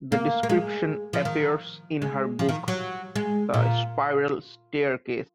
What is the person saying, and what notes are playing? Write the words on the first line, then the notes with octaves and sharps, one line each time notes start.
The description appears in her book "The Spiral Staircase".
A#3
A#3
G#3
F3
D#3
G#3
F3
D#3
F#3
G#3
A#2